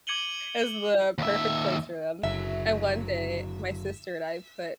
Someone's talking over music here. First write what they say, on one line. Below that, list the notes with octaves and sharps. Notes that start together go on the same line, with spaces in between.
is the perfect place for 'em, and one day, my sister and I put
D6 G#6 C#7 D#7 F#7 G7
D#2 E5
F#1 D3 F#3 E5